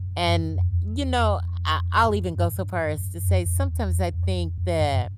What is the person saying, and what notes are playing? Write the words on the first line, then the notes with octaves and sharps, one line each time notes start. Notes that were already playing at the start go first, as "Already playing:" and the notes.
And, you know, I I'll even go so far as to say, sometimes I think that
Already playing: F#2
G2
F#2
F#2
F2
E2
F2
E2
F2
G2
F#2
G2
G2
F#2
F#2
F2
F2
E2
F2
F2
F2
F#2
G2